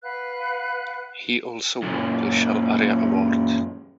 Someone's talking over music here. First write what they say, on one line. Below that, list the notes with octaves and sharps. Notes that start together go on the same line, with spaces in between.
He also won the Shell Aria Award.
B4 F5 F#5 F#6
F#2 A#2